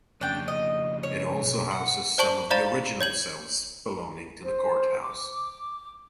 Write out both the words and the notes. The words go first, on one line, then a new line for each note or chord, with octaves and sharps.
It also houses some of the original cells belonging to the Courthouse.
F2 C#3 D4 G5
D#5
C#5
B1
F#5
C5 D5 A5 C#6 F#7
C5 D5 F5 A#5 B5 A6
C#5 G#6 F#7
C5
D6
D6